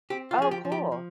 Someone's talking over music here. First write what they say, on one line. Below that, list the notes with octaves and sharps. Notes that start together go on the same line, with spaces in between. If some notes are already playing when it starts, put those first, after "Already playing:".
Oh, cool.
C4 G4
F4
F3 G#4
G4
F3
G4
F3